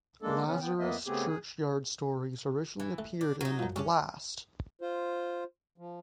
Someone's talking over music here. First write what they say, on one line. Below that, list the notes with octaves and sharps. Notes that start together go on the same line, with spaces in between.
Lazarus Churchyard stories originally appeared in Blast!
G#3 A#3 D4 A4
C#3 E3 B3 C#4
B3 G5
F2 A#3 B3 D#5 E5
C#3 A3 B3 C4 G4 G#4
G#4
E3
A3
D4
F#3 D#4
F#2 F3
G3 C#4 D4 D5
F4 C5
F3